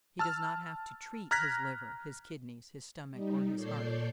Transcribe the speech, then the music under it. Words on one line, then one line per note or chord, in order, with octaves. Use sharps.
He does not have to "treat" his liver, his kidneys, his stomach, or his heart.
A5 E6 F6
A#5 F6 F#6 G#6 A#6 B6
G3 D#4
A#2 A4 C#5 D5 G6 C7